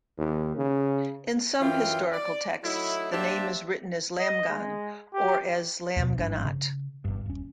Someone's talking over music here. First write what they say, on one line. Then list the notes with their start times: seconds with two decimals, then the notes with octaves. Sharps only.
In some historical texts the name is written as "Lamghan" or as "Lamghanat".
0.18 D#2
0.57 C#3
1.61 F#2 E3 F4 G5
2.12 D5
2.63 F#3 A3 D#4 E4
3.12 A#3 D4 G4 C5 E5 A5
4.18 D#5
4.48 G#3
5.14 G4
5.96 D#2 B2
6.18 G#1 G2 F3 D4
6.45 C#3
7.05 G1 G2
7.26 D#1 C#4